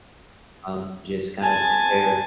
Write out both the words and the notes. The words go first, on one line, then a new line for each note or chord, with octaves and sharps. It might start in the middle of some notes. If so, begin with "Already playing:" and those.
um, to just kind of sit there,
G#5 A5